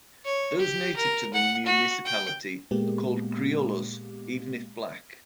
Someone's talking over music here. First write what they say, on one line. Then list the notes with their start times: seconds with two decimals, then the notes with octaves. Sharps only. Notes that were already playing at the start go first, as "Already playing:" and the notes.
Those native to the municipality are called criollos even if black.
0.24 C#5
0.59 G4
0.96 A#4
1.33 F#5
1.65 F#4
2.05 G5
2.71 A#2 G#3 A#3 B3 G4